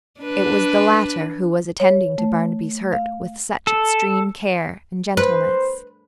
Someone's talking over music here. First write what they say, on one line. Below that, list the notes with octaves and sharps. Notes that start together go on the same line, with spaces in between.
It was the latter who was attending to Barnaby's hurt with such extreme care and gentleness.
D4 B4
C#5
A3
F5
A4
B4 C5